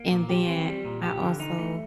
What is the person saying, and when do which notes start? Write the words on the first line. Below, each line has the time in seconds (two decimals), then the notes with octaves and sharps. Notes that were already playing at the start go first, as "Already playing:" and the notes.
And then I also,
Already playing: A#3
0.11 A#2
0.29 G4
0.47 C4
0.66 G3
0.85 A#2
1.03 G4
1.22 D3
1.40 D#4
1.58 A3